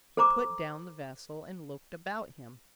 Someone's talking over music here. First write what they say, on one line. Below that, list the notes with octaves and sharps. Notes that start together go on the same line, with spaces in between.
He put down the vessel and looked about him.
A4 C5 A#5 D6